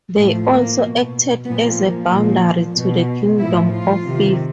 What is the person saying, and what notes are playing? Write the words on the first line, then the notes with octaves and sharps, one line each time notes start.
They also acted as a boundary to the Kingdom of Fife.
A2 F3 A3
A#3
B2
A#2 F3 B3
A#3
A#2 F3
B2
A2 F3 E4
F4
C3 D#3